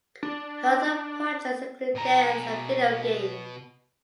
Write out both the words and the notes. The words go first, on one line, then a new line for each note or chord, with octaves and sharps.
Her other projects include dance and video games.
D4
B2 A#5